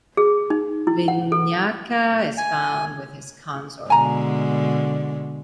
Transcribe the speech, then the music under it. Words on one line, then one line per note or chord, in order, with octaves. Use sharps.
Vinayaka is found with his consort.
G#4
D#4
E4
F#5
A4
G#5
B2 D3 G#3 G#5 A#5